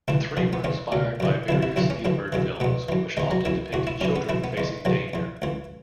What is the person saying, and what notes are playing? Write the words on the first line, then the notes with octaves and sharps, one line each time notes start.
The three were inspired by various Spielberg films which often depicted children facing danger.
C#2 C#3 E3 E4
F#2 C#3 E3
B3
E2 E3 C#4
C#2 B2
F#2 C#3 E3
F#2 C#3 E3 E4
E4
F#2 C#3 E3 E4
C#4
F#2 C#3 E3
F#2 C#3 E3
E2 B2 B3
F#2 E3
E2 E3 G#3
F#3
F#2 E3 E4
E2 E3 F#4
E4
F#2 E3 C#4
B3
F#2 E3 E4
B3
E2 E3 G#3
E2 C#3 E3 F#3
E2 E3
C#2 C#3 E3